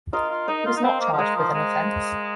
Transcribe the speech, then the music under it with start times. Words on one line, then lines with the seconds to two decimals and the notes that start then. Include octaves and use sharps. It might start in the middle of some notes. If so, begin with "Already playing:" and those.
He was not charged with an offense.
0.13 F4 A#4 D#5
0.30 F4
0.48 D#4 A#4 D#5
0.66 F4
0.77 D#4
0.83 C4 C5 F5
1.01 A#3
1.13 F3
1.18 G#3 A#4 D#5
1.36 F3
1.54 G#3